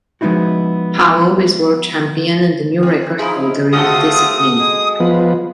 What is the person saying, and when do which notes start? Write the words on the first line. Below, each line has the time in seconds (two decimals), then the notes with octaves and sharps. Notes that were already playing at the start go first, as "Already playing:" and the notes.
Powell is world champion and the new record-holder in the discipline.
0.21 F3 G#3 B3 D#4 E4 F#4
2.83 C4
3.18 F3 D#4 E4 G#4
3.72 A3 C4 F4 F#4 G#4 A4 D#6
4.60 G#3
5.00 F3 B3